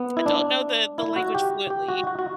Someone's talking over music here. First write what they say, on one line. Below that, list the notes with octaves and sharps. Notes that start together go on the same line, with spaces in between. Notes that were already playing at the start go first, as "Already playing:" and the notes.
I don't know the the language fluently.
Already playing: B3
E4
D4
E4
F#4
G4
G4
F#4
F#4
F#4